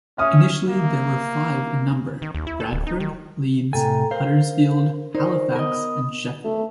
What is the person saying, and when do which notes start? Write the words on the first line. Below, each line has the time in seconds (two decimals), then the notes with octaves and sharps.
Initially there were five in number: Bradford, Leeds, Huddersfield, Halifax, and Sheffield.
0.18 C#4 E5 D#6 F6
0.67 A#3
2.22 D#3
2.35 D#2
2.47 E4
2.60 A4
2.73 D1
2.87 D#4
3.00 D#3
3.73 A2 C3 A4 G5 G#5 A#5
4.11 A#4 C5 F5
5.15 D#4 A#4 C5 D5
5.55 B3 A#4 D#5 D#6
6.44 A3